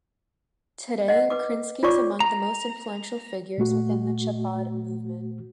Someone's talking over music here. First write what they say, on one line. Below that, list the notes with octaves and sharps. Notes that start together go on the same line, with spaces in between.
Today, Krinsky is among the most influential figures within the Chabad movement.
D#5 F#5
B4 D6
F4 C#5 D5 C#6 D6
A#5
A#2 A3 F#4